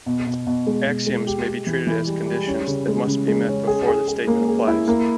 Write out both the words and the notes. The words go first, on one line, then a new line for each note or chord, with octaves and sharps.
Axioms may be treated as conditions that must be met before the statement applies.
B2
B2
B2
G#3
B2
G#3
G4
G4
E3
E3
G3
G3
C#4
C#3
G#3
C#3
G#3
C#4
G#4
G#4
G#4
A#3
G#4
E4
A#3